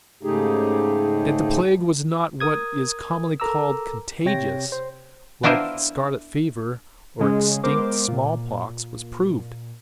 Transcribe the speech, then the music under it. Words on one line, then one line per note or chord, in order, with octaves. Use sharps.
That the plague was not what is commonly called contagious, like the scarlet fever, or extinct small-pox, was proved.
G#2 C#3 A3 D#4 G4 G#4
A#4 D#6 G#6
A4 A#4 A#5 D6 E6
C3 C#5 G5 A#6
C5
B3 D4 E4 F4 A#4 C5
C#3 G#3 C#4
G#3 B3 A#4 C5 D6
A#2